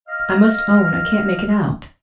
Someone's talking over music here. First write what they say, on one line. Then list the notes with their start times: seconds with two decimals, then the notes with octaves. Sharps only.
I must own I can't make it out.
0.08 D#5 F5 F6